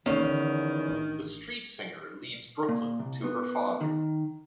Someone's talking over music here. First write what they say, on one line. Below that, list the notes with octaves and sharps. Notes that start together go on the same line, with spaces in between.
The Streetsinger leads Brooklyn to her father.
E2 D#3 A#3 B3 C#4
D3
A1 D4
A#2
C2
B3
D#3